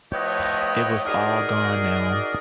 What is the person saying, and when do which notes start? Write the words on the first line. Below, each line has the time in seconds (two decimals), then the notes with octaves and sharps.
It was all gone now.
0.12 A2 F3 B3 G4 C#5 D#5
1.06 D#4 F#4 G#4 A#4 D5 D#5